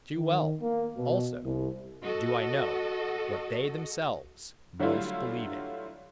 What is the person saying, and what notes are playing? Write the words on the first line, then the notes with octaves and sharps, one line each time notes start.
Too well, also, do I know what they themselves most believe in.
D#3
A#3
B2
C2
F#4 A4 D#5
D3 F#3 G3 A3 E4 F4